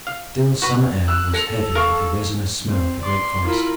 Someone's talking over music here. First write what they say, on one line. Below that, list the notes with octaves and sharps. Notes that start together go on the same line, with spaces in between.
The still summer air was heavy with the resinous smell of the great forest.
F5
F#4 B4
E6 F#6
A4 A#6 C#7 F7
A#4 F5 C#6
C4
D5 C6
E4 F4 A#4 B5